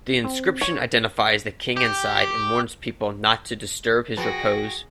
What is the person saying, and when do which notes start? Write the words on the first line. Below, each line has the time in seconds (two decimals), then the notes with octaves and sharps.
The inscription identifies the king inside and warns people not to disturb his repose.
0.24 C4
0.61 C#5
1.77 G4
4.17 F3 F#4 G#4 B4 G5 A5 A#6